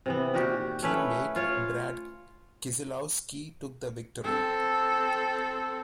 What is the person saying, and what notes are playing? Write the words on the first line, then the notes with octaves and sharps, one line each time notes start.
Teammate Brad Keselowski took the victory.
C3 E3 B3
A#2 D#3 F#4 G4
A3 C#4 E4 B4
F4 C#5
C4 A4